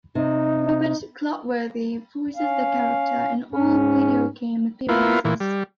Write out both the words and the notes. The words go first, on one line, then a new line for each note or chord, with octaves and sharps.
Robert Clotworthy voices the character in all video game appearances.
C3 D#4
C#4 F5
G#2 C#4
A#3 B3 E4 F4
A#2 E3
G3